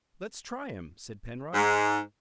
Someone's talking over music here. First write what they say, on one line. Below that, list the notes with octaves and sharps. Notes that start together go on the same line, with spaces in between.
"Let's try him," said Penrod.
G#2